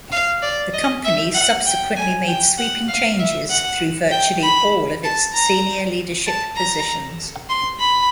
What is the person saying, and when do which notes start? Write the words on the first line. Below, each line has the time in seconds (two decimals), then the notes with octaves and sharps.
The company subsequently made sweeping changes through virtually all of its senior leadership positions.
0.12 F5
0.42 D5
0.74 D#5
1.04 E5
1.35 F#5
1.66 G5
1.97 G#5
2.27 G5
2.58 F#5
2.88 F5
3.19 E5
3.50 F#5
4.11 G5
4.42 B5
5.04 A5
5.34 A#5
6.26 A5
6.56 A#5
7.49 C6
7.80 B5